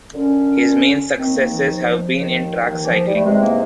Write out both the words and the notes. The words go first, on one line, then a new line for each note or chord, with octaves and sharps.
His main successes have been in track cycling.
F#2 D3 C#4
D#2 D#3 C4
A#3
E3
F3
D#2 D#3
E3
E3
F3
G3
A3
E2 C3 D#3 G#3
A#3